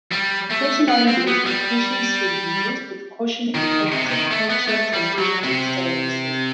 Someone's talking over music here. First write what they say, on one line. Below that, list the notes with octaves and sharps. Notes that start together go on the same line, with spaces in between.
Creatinine-based equations should be used with caution in cachectic patients and patients with cirrhosis.
G3
A3
B3
C4
B3
G3
D#3
C3
C3
D#3
A3
B3
A3
G3
F#3
C3